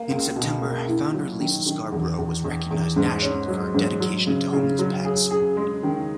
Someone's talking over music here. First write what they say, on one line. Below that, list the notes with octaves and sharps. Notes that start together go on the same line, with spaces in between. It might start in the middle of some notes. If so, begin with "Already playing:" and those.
In September, founder Lisa Scarbrough was recognized nationally for her dedication to homeless pets.
Already playing: A#3
C#2
B2
A#3
E4
F#3
D#3
D#3
E2
E2
E2
E2
G#2
C#4
F#3
G#2
F#3
C#3
C#3
F#3
G#4
G#4
G#3
D#3